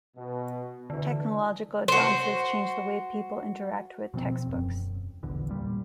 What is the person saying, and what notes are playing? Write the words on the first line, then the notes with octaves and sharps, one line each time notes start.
Technological advances change the way people interact with textbooks.
B2
D2 D3 E3
F#4 C5
B2 F3 B3 C4
E1 F#2
A#1 E2 D3
A#2 G3